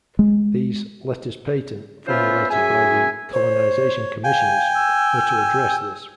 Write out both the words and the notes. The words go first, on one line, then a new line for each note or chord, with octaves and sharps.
These "Letters Patent" formulated by the "Colonisation Commissioners" were to address this.
G#3
B3 C#4 F4 C5 E5
F#2 G#4 E5 G#5
C5 C#5
F5 G5 G#5
E6